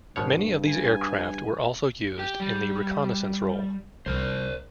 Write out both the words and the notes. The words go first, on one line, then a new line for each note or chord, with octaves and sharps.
Many of these aircraft were also used in the reconnaissance role.
G#1 G2 B2 C#5
G#5
G4
G3
C2 A#4 C5